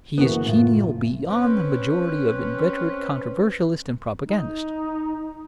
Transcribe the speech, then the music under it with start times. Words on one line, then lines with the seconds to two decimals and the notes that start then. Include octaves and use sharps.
He is genial beyond the majority of inveterate controversialists and propagandists.
0.18 F#1 E3 B3 F#4 A#4
0.46 A2 F4
1.29 C4 C#4 B4
4.27 D#4